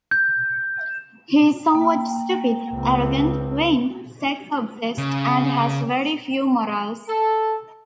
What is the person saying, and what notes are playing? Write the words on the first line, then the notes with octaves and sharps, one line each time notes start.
He is somewhat stupid, arrogant, vain, sex-obsessed, and has very few morals.
G6
A#3 G5
C#2 C4
C#3
A4